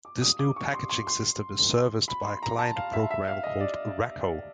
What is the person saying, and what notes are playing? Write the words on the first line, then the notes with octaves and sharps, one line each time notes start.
This new packaging system is serviced by a client program called raco.
D6
D#6
D6
C#6
C6
C6
C6
B5
C6
A#5
A5
F5
E5
E5
F5
D#5
D5